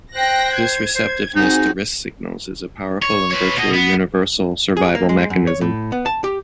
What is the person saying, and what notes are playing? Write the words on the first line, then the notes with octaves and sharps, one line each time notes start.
This receptiveness to risk signals is a powerful and virtually universal survival mechanism.
C5 G5 F#6 A#6
G#6
C5
C4 D#4 F#4 G#4
C#5
B4 C#5
B2 D#5
B3
G#4
A#3
G#3
F#2
C#5
A2
B3
A5
G4